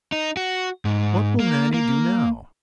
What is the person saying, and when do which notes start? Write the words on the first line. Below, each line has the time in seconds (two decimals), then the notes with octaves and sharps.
What will Nannie do now?
0.12 D#4
0.37 F#4
0.85 G#2
1.40 A#3
1.74 A#3